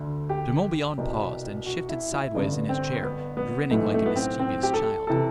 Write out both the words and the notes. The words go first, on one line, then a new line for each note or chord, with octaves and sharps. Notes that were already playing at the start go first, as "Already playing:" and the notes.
De Morbihan paused and shifted sideways in his chair, grinning like a mischievous child.
Already playing: D2 D3
G4
C2 B2
F#4
E4
E4
A1 G2 D3 B3
C4
B3
B3
B1 A2 E3 A3
A3
B3
C4
C4
G4
A4
C3 E3 A4